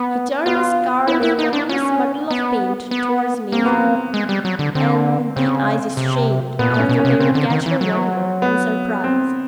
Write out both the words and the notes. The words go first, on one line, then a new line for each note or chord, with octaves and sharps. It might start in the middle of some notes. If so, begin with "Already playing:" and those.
He turned a scarred formless muddle of paint towards Maisie, and the eyes strained as though they would catch her wonder and surprise.
Already playing: B3
B3 F4
B3 E4
A#3 E4
B3
D#4
D4
C#4
B3
B3
A#3 C4
B3
C4
G#3
G3
F#3
D3
D3 C4
C#3 C4
C3
A#2 B3
B2
A#2 C#4
B2
C#4
C3
C#3 C4
D3
D#3
E3
F#3
B3
C4